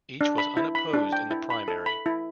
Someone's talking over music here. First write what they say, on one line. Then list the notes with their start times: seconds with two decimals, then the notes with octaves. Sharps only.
Each was unopposed in the primary.
0.21 D4
0.38 B5
0.57 E4
0.75 B5
0.94 D4
1.13 G5
1.31 E4
1.50 B5
1.68 A4
1.86 B5
2.06 E4